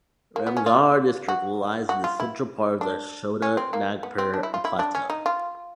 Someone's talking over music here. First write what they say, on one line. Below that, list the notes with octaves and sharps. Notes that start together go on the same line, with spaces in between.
Ramgarh district lies in the central part of the Chota Nagpur Plateau.
A#3
B3
C#4
F4
F#4
F#4
F4
E4
D4
C#4
C4
A#3
B3
C4
D4
E4
F4
E4
D4
C#4
D#4
F4